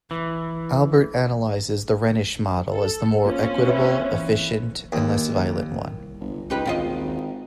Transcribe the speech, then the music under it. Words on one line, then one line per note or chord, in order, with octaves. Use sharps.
Albert analyzes the Rhenish model as the more equitable, efficient, and less violent one.
E3
A4
A#3 C4 C#4 F4
B4 C#5 E5
E3
D#2
G1
C#2 D#4 G4 B4
G#1 D#3 F4 D#5